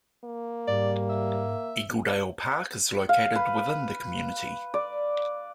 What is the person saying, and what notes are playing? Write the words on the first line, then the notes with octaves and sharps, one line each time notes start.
Eagledale Park is located within the community.
A#3
G#2 G3 D5
E5
F5
B4
D5